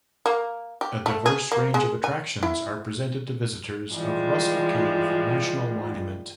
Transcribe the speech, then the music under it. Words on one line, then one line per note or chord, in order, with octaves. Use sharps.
A diverse range of attractions are presented to visitors of Russell Cave National Monument.
A#3
G4
A3
G#4
A#3
G#3
G#5
E4
E3 F3 G3 G#3